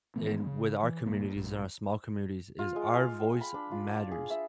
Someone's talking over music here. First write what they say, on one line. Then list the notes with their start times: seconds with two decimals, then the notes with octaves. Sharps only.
in with our communities, and our small communities, is our voice matters.
0.16 D#3 E3 A3 B3
0.47 C#3
0.83 E3
1.06 D2 A#2 G3 A#3
1.35 A#1 G#2
2.59 F4
2.76 G#3
2.93 F5
3.20 G5
3.41 B5
3.54 D4
3.71 F4
3.94 D5
4.11 G#4
4.30 E5